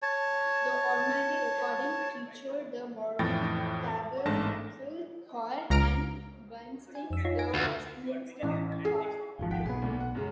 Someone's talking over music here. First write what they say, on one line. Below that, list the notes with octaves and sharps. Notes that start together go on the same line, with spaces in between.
The Ormandy recording featured the Mormon Tabernacle Choir, and Bernstein's the Westminster Choir.
C#5 A5
F2 A2 E3 G5 A6 A#6
A1 G#2 A3 D4 A5 A#6
C#2 A#5 F6 D7
G#5
F2 E6
D#4 F4 C#5
G#5 A#6 D7
D2 F4
A1
G#4
D#1 G#1 F3
F#5 G5 B6
B1 B3 G#4
D2 A#2 A3
F#5
F#2 C#3 G#3